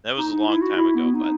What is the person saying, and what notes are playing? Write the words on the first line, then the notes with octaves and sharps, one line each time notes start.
That was a long time ago, but,
D#4
D#4
E4
F#4
E4
B3
D#4